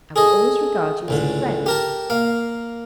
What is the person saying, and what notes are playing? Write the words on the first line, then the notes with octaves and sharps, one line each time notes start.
"I will always regard you as a friend."
G#4 A4 D#5
C#2 A2 D3
G4 A#4 A5
A#3 F5